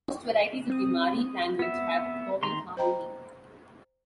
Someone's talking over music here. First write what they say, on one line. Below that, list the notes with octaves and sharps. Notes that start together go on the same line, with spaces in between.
Most varieties of the Mari language have vowel harmony.
C4 D#6
B3 E5
D#3 A#5 C6
C5 D#5 G5 A#5 B5